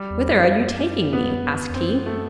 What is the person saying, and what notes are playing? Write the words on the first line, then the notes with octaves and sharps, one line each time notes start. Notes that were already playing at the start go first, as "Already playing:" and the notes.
"Whither are you taking me?" asked he.
Already playing: G3
E2
F#2
B3
E2
F#2 C4
A3